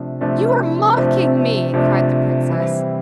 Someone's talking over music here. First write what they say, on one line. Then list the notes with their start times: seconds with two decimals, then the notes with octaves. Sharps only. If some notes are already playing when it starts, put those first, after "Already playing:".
"You are mocking me!" cried the princess.
Already playing: C3 F3 A3 D4
0.21 C3 F3 A3 D4
0.97 C3 F3 A3 D4
1.74 C3 F3 A3 D4
2.49 E3 G3 C4 E4